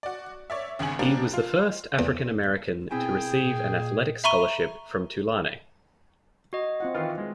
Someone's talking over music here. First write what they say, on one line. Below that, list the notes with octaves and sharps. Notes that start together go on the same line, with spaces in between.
He was the first African American to receive an athletic scholarship from Tulane.
F#4 D5
C#5 D5 E5
G#1 C#2 G2 G#5 F#7
F3 G3 A#3 D4
F4
E2
B2 C4 E4 G#4 G5 G#5
A#2
E5 A#5 B5 C#6 D#7 G7
F#4 D#5
C4 F4 F#5
D#3 E3 F4 B4 F5
G#3